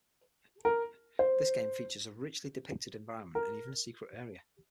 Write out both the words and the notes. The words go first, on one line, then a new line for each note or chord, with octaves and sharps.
This game features a richly depicted environment and even a secret area.
A#4
C5
A#4